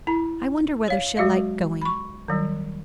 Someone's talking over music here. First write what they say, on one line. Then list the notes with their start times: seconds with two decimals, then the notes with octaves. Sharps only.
I wonder whether she'll like going.
0.07 E4 A#5
0.88 C#5 F5
1.17 F#3 G#3 F#4 E5 F5
1.81 B5 C#6
2.28 D#3 F#3 G3